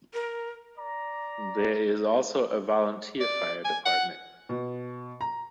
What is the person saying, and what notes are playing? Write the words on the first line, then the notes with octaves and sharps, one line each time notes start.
There is also a volunteer fire department.
A#4
D5 A#5
D5
G#5
F#5
B2
A#5